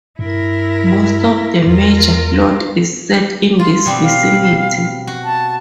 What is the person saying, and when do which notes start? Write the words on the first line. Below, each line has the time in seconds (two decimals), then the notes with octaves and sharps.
Most of the major plot is set in this vicinity.
0.19 G2 E4 A#4
1.67 E2 F4 A#4
3.59 F4 C6
3.86 B2 G3 C4
4.02 F5
5.07 F#4
5.24 A5